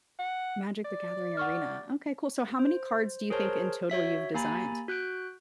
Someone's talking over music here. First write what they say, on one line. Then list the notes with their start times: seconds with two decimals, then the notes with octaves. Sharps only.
Magic the Gathering Arena. Okay, cool. So, how many cards do you think in total you've designed?
0.19 F#5
0.85 D5
1.37 F#5 C#6 F6
2.59 C5
3.30 G#4 A#4 C5 C#5 A5
3.90 F#4 C#5 E5 B6
4.34 A#3 G4 G#5 A#5 B5 A6
4.88 F#4 F#6 G6 D7